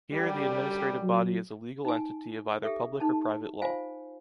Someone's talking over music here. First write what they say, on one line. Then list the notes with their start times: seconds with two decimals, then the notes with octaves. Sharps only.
Here the administrative body is a legal entity of either public or private law.
0.12 F#2 D3 G3
1.02 F#3
1.85 D#4 G#5
2.63 G4 A4 E5
3.00 D#4 A5
3.62 F4 C5 F5 G#5